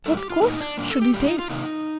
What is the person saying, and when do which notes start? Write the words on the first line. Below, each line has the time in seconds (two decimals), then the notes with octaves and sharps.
What course should he take?
0.06 A2 G3 A#3 A4
0.17 G4
0.30 F4
0.42 A2 G3 A#3 D#4
0.60 D4
0.78 A#2 G3 A#3 D4
0.90 A4
1.02 G4
1.14 A#2 G3 A#3 G4
1.26 D#4
1.39 F4
1.50 C3 D#3 A#3 D#4